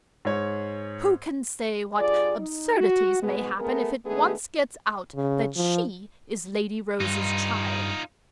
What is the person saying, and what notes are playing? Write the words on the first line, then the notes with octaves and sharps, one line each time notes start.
Who can say what absurdities may happen if it once gets out that she is Lady Rose's child?
G#2 C#5
G2 F4 G#4 D5
D#4
F#4
G#2 B2 G#3 B3 G#4
A3 B3 G#4 A#4
D#3 G#3 A3 B3 D4 G#4
C#3
F3
G2 D#4 F4